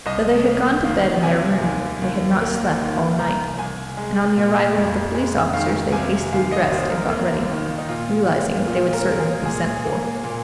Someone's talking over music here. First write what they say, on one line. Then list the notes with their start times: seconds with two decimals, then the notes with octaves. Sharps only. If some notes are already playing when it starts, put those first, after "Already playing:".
Though they had gone to bed in their room, they had not slept all night, and on the arrival of the police officers they hastily dressed and got ready, realizing that they would certainly be sent for.
0.06 C2 D#5
0.44 A#3
0.84 D#3 F5
1.23 C3 G#5
1.62 D#2
2.02 D#2
2.41 A#3
2.80 D#3
3.19 C2 A#5
3.58 C2 G#5
3.97 G#3
4.37 A#2
4.75 F2
5.14 G#3
5.54 D#3 F5
5.92 C3 G#5
6.32 D#2 F5
6.52 D#5
6.72 D#2 C5
6.91 A#4
7.10 A#3
7.50 D#3
7.78 D#4
7.88 A#2 F4
8.28 G#3
8.67 A#2 F4
8.94 A#4
9.06 G#3
9.12 A#4
9.20 G#4
9.45 A#2 G#4
9.84 A#3
10.24 A#2